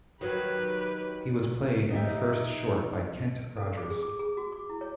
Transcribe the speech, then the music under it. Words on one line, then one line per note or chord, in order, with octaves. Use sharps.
He was played in the first short by Kent Rogers.
D#3 F#3 G4 B4
D#4 G4 E5
A4
D6
G#4
D6
G#4
F#4
D6
E4
C#5